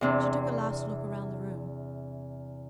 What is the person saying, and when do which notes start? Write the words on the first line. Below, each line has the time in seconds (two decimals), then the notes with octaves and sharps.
She took a last look round the room.
0.01 E2 C3 D4